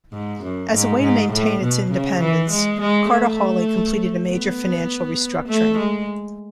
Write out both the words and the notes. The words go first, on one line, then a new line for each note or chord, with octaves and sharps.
As a way to maintain its independence, Carter Hawley completed a major financial restructuring.
G#2
F#2
G#2
G#2
A2
B2
C#3
E3
G#3
G#3
A3
B3
A3
G#3